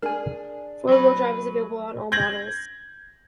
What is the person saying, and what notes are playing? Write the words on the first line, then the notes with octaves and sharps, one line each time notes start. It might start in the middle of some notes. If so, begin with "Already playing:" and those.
Four-wheel drive is available on all models.
D4 G#4 A#4 G#5
F#3 B4
G6 G#6 A#6 F#7